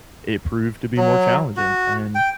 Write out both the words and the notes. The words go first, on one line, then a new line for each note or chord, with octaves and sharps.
it proved to be more challenging, and
F#3
F#4
G5